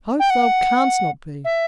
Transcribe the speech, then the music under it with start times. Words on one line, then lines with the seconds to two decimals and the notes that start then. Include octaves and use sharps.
Pope thou canst not be.
0.20 G5
0.30 F#5
1.45 E5